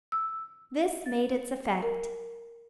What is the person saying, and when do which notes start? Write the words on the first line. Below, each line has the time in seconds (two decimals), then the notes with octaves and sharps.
This made its effect.
0.12 E6
1.06 A6
1.83 A#4